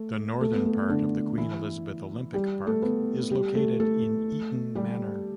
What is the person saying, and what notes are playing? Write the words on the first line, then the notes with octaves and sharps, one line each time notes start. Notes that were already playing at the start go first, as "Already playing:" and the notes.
The northern part of the Queen Elizabeth Olympic Park is located in Eton Manor.
Already playing: A3 A4
A3 A4
B3
A3
B3
D3 D4
E3 E4
G3 G4
A3 A4
B3 B4
G3 G4
A3 A4
A3 A4
G3 G4